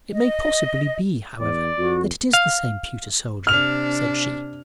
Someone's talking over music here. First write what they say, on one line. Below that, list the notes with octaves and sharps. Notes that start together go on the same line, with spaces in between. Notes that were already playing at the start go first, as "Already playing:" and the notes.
"It may possibly be, however, that it is the same pewter soldier!" said she.
D#5
E2 D5
F2 F#4
F5
C3 D4 F6 F7